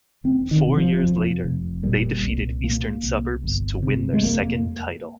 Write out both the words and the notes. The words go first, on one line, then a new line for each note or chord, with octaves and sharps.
Four years later they defeated Eastern Suburbs to win their second title.
F1 C4
D#3
C3
F3
F2
F1
A#2 G3
C2
A#2 A#3
C2
G1
C3
G#3
F2 A#3